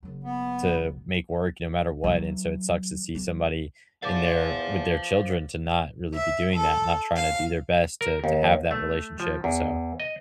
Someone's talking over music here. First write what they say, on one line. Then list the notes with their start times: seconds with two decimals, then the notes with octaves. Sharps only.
to make work no matter what, and so it sucks to see somebody in there with their children to not really be doing that, not trying to do their best to to have that relationship, and so
0.03 F#1 F#3
0.24 B3
2.04 E3 F#3
3.15 F#3
4.03 E2 C5 F5 D6 A6
6.13 E5
6.54 A4
7.15 F5
8.01 A#4
8.24 D#2
8.71 A3
9.20 F3
9.44 E2
10.00 D#5